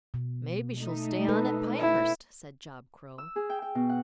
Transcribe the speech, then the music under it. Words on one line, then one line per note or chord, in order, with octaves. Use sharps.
"Maybe she'll stay on at Pinehurst," said Job Crowe.
B2
A3 D#4
A4 B4
E4
E6
G#4
G5
G5
B2
F#5